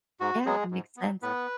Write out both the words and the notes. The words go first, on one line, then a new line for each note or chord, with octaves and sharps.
Yeah, that makes sense.
G#2 F#4
F#3 G#3 B3 G#4
G#2
F#3 B3
A2 B3 B4